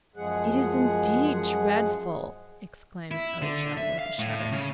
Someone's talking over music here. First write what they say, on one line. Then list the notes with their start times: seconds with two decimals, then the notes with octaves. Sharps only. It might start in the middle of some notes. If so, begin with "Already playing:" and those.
"It is, indeed, dreadful!" exclaimed Ojo, with a shudder.
0.16 F#2 F3 G#3 G#4 F#5
3.11 E4
3.42 D3
3.77 E5
3.99 F5
4.19 A2
4.52 C#3